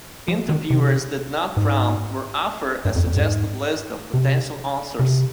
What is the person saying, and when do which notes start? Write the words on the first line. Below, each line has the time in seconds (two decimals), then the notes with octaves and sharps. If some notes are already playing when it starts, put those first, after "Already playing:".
Interviewers did not prompt or offer a suggested list of potential answers.
0.28 F3
0.49 D#3
0.70 C3
1.57 G#2
2.85 G2
2.96 F2
3.06 F2
3.17 G#2
4.14 C3
4.99 C3